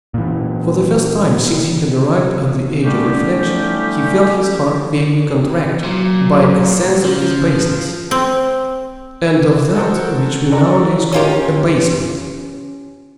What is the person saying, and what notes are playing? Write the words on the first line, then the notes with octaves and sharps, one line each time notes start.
For the first time since he had arrived at the age of reflection, he felt his heart vaguely contracted by a sense of his baseness, and of that which we nowadays call abasement.
A#2 E3
D3 G3 A3 C#4 D#4 G4
A#2 F#3
C#3 F3
C4
F#4 A4 A#4 C5
A4 D5 A#5
C#4 F4 G4